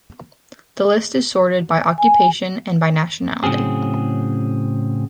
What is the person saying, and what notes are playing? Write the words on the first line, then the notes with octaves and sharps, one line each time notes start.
The list is sorted by occupation and by nationality.
G#5
A2 C#3 F#3 C4 G#4